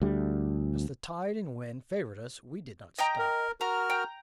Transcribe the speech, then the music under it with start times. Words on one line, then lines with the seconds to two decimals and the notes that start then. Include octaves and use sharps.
As the tide and wind favored us, we did not stop.
0.02 D2 G3
2.98 D#5 G5 A#5
3.19 A#4
3.61 F#4 A#4 A#5 F6
3.90 G5 A#5